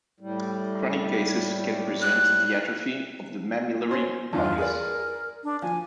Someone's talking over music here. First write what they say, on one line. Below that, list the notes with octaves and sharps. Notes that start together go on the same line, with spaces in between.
Chronic cases can present the atrophy of the mammillary bodies.
A2 G3
F#6
C#4 C5 C6
E2 G2 D4 F4
G#4 A#4 B4 D5
D4
F3 G#5